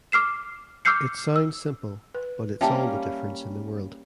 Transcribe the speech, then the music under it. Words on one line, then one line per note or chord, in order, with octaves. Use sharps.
It sounds simple, but it’s all the difference in the world.
D6 F6 C7 E7
D6 E6 F6 G6 C7 C#7
E6
B4
G3 A#3 C#4 E5 G5 A5